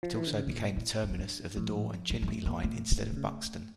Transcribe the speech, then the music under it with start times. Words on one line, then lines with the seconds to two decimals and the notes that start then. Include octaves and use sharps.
It also became the terminus of the Dore and Chinley line instead of Buxton.
0.03 F3
0.15 E3
0.27 D3
0.38 C#3
0.46 D4
0.50 A#2 E4
0.77 E4
1.03 D4
1.10 C#4
1.18 D4
1.57 A2 F3
2.10 G3
2.22 G3
2.28 A3
2.46 A#3
2.63 A#2 A3
3.16 C#3